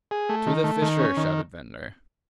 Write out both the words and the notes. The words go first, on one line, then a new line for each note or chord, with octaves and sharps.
"To the fissure!" shouted Ventnor.
G#4
A3
D#3
A3
D#3
C#4
D#3